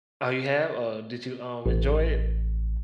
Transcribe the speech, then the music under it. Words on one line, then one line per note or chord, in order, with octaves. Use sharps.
oh, you have? Uh, did you, um, enjoy it?
A1